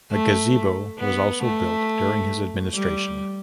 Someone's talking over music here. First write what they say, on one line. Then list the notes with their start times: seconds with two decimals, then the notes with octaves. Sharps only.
A gazebo was also built during his administration.
0.11 A3
0.99 B3
1.43 A3
2.74 G3